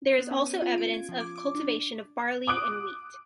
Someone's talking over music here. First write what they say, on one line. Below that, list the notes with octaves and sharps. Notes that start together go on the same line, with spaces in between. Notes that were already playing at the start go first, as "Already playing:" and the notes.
There is also evidence of cultivation of barley and wheat.
B3
C#4
D#7
F4
D7
G#6
F3
D6
D6
D4
D6 D#6 F#6 D7